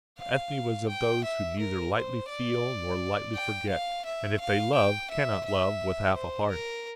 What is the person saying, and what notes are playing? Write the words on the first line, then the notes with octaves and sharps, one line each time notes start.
For Ethne was of those who neither lightly feel nor lightly forget, and if they love cannot love with half a heart.
F5
G5
E5
A#4
C5
D5
G5
F5
E5
F5
G5
E5
E5
C5
A#4